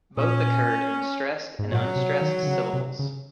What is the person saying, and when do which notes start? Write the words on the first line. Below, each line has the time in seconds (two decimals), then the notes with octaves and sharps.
Both occurred in stressed and unstressed syllables.
0.17 A#2 C#4
1.59 G#2
1.71 A#2 F#3
1.96 C3
2.21 D#3
2.43 D#3
2.47 C#3
2.73 C3
2.99 C#3